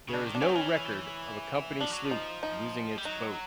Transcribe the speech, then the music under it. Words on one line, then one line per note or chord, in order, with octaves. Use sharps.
There is no record of a Company sloop losing its boat.
C#3
D4
D#3
D4
D#3 C#4
C4
E3 C#4
F3 D4
F#3
F3
D#4
D#4
G3
F#3 D#4